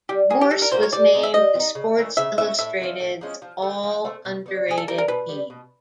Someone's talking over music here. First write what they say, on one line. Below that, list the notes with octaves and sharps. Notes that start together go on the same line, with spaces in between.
Morse was named to "Sports Illustrated"'s "All-Underrated Team".
G3 G4
A#3 C#4 F#4 G#4
G4
G3 A4
A#4
A#3 C#4 F#4 C5
C#5
G3 D5
C4 D#4
E5
G3 D#5
C4
D#4
C#3
E3 A3 C#4
C#3 E5
E3 A3 C#4 E5
A2 E5
F3 G#3 C#4
A2
F3 G#3 C#4
F3
A3 C4
F3
A3 C4
B2
G3 B3
B2 G#4
A4
G3 B3 A#4
A#4
B2 B4
G3 B3
B2